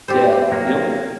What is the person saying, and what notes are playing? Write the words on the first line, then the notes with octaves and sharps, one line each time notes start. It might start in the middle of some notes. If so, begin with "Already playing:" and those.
Yeah. Yep.
G4 A4 C5
F#3 A#3